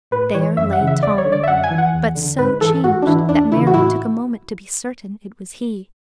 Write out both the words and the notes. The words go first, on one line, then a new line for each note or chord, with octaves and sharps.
There lay Tom, but so changed that Mary took a moment to be certain it was he.
A2 B4
E3 C#5
F#2 E5
F#5
C#3 E3
E5
E2 D5
C#5
D3
D5
E5
F#2 F#5
G#5
E3
F#5
E2
D3
G#2 B4
E3 A4
G#2 F#4
D4
E3 E4
E2 D4
C#3 E3 E4
F#4
A2 E4